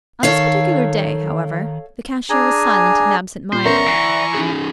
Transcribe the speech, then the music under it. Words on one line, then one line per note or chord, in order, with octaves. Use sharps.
On this particular day, however, the cashier was silent and absent-minded.
D#3 A4 C#5 F5
D4 G#4 G#5 A#5
A#2 C5
B3 C#4 A#4 D5 E5 A#5 C#6
E3 C7
C#4 D#4 G#4